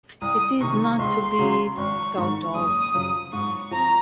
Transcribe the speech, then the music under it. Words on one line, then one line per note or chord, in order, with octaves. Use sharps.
It is not to be thought of.
C2 D#6
C3 D#3 C#6
C#2 C6
C#3 F#3 C#4
G#1 C#6
G#2 D#3
F#1 D#6
F#2 C#3 F3
G#2 C#6
F3 C4 A#5